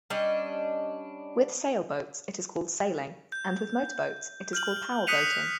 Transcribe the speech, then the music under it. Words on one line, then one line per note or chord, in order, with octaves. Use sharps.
With sailboats, it is called sailing, and with motorboats, it is called powerboating.
G3 C#4 D4 D#5
G6
F6 G6 F#7
D#6 F#6 B6 C#7 D#7 F7